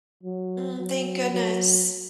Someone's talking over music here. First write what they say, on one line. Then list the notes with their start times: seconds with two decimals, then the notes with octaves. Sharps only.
Mm, thank goodness.
0.23 F#3
0.79 F#3
1.32 F#3